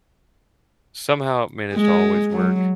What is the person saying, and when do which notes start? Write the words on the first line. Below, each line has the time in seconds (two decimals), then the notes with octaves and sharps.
somehow managed to always work,
1.74 G#3
2.30 F#3